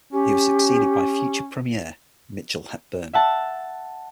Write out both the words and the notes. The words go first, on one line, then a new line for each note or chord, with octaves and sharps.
He was succeeded by future Premier Mitchell Hepburn.
C#4 G4
E5 F#5 A5